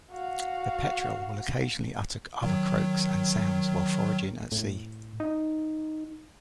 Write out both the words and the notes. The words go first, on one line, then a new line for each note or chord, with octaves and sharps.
The petrel will occasionally utter other croaks and sounds while foraging at sea.
F#4 F5
D#3 F#3
A2
D#4